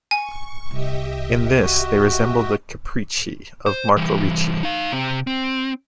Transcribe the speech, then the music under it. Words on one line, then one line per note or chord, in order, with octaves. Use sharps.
In this they resemble the "capricci" of Marco Ricci.
G#5 C#6
C2 G4 D#5 E5
F#4
C5
E3 G3
D#4 F5
C3 C4
C4